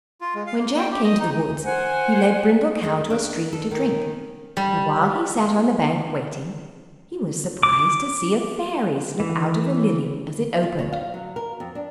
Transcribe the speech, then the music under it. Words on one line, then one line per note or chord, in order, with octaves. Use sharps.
When Jack came to the woods he led Brindle Cow to a stream to drink, and while he sat on the bank, waiting, he was surprised to see a Fairy slip out of a lily as it opened.
F4
G#3
F5
A#3
G5
G4
D#5
D#4
C5 F#5 G#5
G#3
D4
A4
D#3
G3
D6
E3
F4
C#5
F5
F#3
A#4
F2
D4